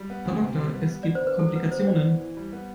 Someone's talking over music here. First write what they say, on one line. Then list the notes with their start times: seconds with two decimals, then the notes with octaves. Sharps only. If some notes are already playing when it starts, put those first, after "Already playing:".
Frau Doktor, es gibt Komplikationen.
Already playing: G3
0.10 B3
0.25 D2
0.43 C3
0.58 G3
0.74 B3
0.90 B3
1.03 D5
1.06 D3
1.15 C5
1.23 D3 B4
1.39 F#3 A4
1.56 B3 B4
1.71 D3 C5
1.87 B3 D5
2.04 E3
2.20 E3
2.37 G3
2.53 B3